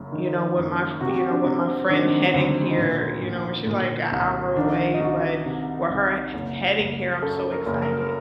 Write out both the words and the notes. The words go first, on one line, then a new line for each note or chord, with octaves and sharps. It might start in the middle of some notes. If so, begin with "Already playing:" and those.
you know, what my f you know, what my friend heading here, you know, when she, like, a hour away, but where her he heading here, I'm so excited.
Already playing: F#1 F#2
D#3
F#2
C3 F#4
G4
F#4
D4
C3
C4
D#3 D4
C4
D4
D4
D2 C4
D#4
A#2 D4
A#2
A#2
C2
D#3 D4
D#4
C2 F#4
C3
C2
F#1
F#1
F#2 A4
A#4
F#1
A#4